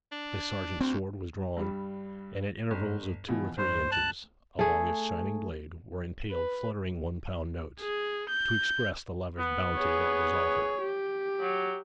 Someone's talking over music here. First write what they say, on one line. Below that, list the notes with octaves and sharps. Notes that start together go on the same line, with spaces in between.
The sergeant's sword was drawn, and at intervals of two or three inches along its shining blade were impaled fluttering one-pound notes, to express the lavish bounty that was offered.
D4
D2 C4
G2 G3
G1
B2 E3 F3
G1 C5
A5 F#6
A3 G#4
B4
G#4
G6
B3
G#4 C#5
G4
F#3